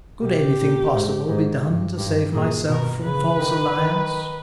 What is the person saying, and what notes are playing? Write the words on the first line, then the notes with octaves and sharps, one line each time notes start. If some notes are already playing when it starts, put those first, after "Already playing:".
Could anything possible be done to save myself from false alliance?
B2 G4
A#2
G#2
G#2
G2
G2
A#2 G#4
B2 A#4
C#3 B4
D#3
D#3